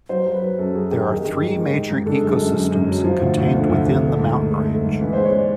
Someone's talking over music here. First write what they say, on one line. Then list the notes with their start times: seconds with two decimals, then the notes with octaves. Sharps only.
There are three major ecosystems contained within the mountain range.
0.09 F#3 C5
0.26 F#3 C5
0.34 B4
0.42 F#3
0.58 F#2 A4
0.75 F#3 G#4
0.91 D#3 G4
1.08 D#3 G#4
1.16 G4
1.24 D#3 G#4
1.41 G#2
1.57 D#3
1.73 G#2
1.90 G#2
2.06 D3 A4
2.13 G#4
2.21 F#2 A4
2.39 F#2
2.55 F#2
2.71 F#2
2.88 F#3
3.04 F3
3.21 D2
3.37 D2
3.54 D3
3.70 D2
3.86 D2
4.03 A3
4.19 G#2
4.35 A3
4.51 A3
4.68 A3
4.84 G#2
5.01 E3 B4
5.13 G#3 C5
5.25 C#5
5.33 G#3 D5